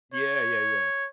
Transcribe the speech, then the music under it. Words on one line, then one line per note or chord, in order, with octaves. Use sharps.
Yeah, yeah, yeah.
C#5